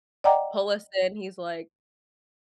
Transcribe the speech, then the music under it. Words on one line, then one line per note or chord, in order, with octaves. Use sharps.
pull us in. He's like
D5 D#5 F#5 G5 A#5 D6